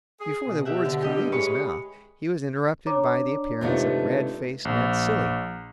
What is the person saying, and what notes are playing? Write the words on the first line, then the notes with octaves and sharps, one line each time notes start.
Before the words could leave his mouth, he was interrupted by the appearance of red-faced Ned Cilley.
G#4
B2
G4 E5 F#5
D3
G2 G3 G4 D#5
G#3 B4 C#5 C#6
D4 C#5 A#5 D6
G#1 C3 A3 D4 D#4 F4 B4
A#1